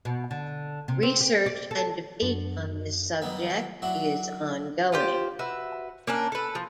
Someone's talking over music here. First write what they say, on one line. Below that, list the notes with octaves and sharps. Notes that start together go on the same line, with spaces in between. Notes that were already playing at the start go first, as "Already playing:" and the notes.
Research and debate on this subject is ongoing.
B2
D3
C3
C4
G4
D5
A4
F#2 D4 F#4
D#3 F#3 G3 B3
F#3 D4 E4 F#4
F4 G4 C5
F#4 B4 E5
A#3 C#4 D4
A4 B4
F3